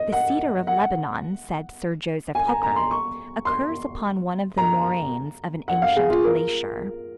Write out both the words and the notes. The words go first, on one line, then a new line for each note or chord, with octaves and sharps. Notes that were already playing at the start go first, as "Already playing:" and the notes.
The cedar of Lebanon, said Sir Joseph Hooker, occurs upon one of the moraines of an ancient glacier.
Already playing: D#5
F#5
F#5
G#5
A#5
A#5
C6
C#6
C6
A#5
F#5
F5
G#4
F4
A#4